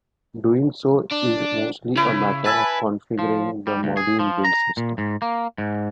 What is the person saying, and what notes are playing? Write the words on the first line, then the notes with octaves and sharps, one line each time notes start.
Doing so is mostly a matter of configuring the module build system.
D4
C#3 E4
B4 E5 G#5 A5
F3
G3
D2
G#4
F3
A#5
A#2
G#2
A#3
G#2